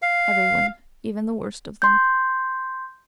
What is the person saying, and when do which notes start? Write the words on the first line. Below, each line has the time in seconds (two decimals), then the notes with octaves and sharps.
Every one--even the worst of them.
0.02 F5
1.82 C6 G6